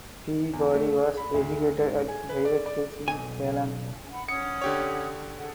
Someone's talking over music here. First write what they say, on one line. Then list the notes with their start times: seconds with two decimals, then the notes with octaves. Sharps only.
Peabody was educated at private schools in Salem.
0.53 E2
0.74 A3
1.02 G#4
1.17 B5
1.34 D2
1.78 G#2
2.08 G#5
2.29 B4
2.45 D5
2.66 D5
3.08 B1 G#5
4.11 F#5 B5
4.29 C#4 F#5 D#6 C#7
4.62 D3 G4 C#5
5.39 G#4 A4 F#5